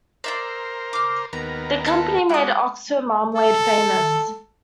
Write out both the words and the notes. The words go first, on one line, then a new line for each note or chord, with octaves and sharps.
The company made "Oxford Marmalade" famous.
A#4 C5 D5 E5 C6
D6 F6
D#2 B3 A#4 A#5
A4 B5
G#3 F#4 D5 G5 D#6
A4